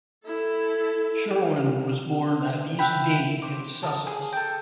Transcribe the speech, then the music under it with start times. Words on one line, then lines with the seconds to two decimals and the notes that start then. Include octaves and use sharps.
Sherwin was born at East Dean in Sussex.
0.24 E4 A4
2.79 E5 F#5 G5 B5
3.42 C5 D6
3.83 A4 A#4 D#6
4.07 G#4
4.33 A4 G5